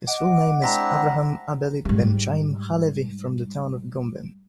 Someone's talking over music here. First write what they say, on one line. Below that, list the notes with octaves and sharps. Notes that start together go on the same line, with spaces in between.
His full name is Avraham Abele ben Chaim HaLevi from the town of Gombin.
D#5 F#5 D6
G#3 C4 D4 E4 A#5 A#6 B6
G#2 G3